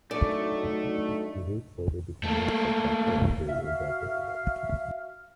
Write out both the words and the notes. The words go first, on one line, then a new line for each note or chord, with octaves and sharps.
Gates later became a successful interior decorator.
D2 F#3 A3 D4 D#4 D5
A3 A#3
F#4 E5 F5 F6